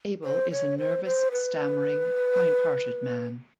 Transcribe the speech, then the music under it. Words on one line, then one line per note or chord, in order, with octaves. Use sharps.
Abel is a nervous, stammering, kind-hearted man.
C5
C#5
C5
C5
B4